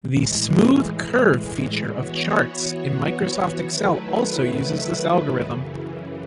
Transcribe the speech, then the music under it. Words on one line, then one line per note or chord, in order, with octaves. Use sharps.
The "smooth curve" feature of charts in Microsoft Excel also uses this algorithm.
A2 E3 G#3
E3 B3 F#4 C#5
D#3 F#3 A3 E4 B4
F#2 C#3 E3